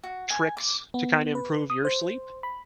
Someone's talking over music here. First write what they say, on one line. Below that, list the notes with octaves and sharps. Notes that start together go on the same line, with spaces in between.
tricks to kinda improve your sleep?
F#4
G#5
D6
B3
B4
D#6
C5
B5